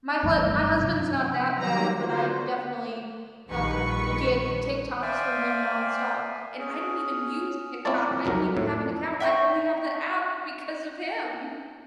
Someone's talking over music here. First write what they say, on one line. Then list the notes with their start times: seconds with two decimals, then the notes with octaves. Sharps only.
my hu my husband's not that bad but I definitely, uh, get TikToks from him nonstop and I don't even use TikTok, I don't even have an account, I only have the app because of him.
0.23 F#1 G2 E3 A3
0.81 C3 F3 F#3
1.56 D#3 F#3 G3 A#5
1.99 D3 F4 F#4 C5
3.51 A#1 D#3 G3 B4 C#6 C#7
5.02 C5 D5 E5 F5 G5 G#5
6.59 C#4 G#4
7.85 C4 E4 F4 C#5 D5 A5
8.25 C2 F2 F#3 A#4
8.57 F2 A2
9.20 E5 G5 B5 C#6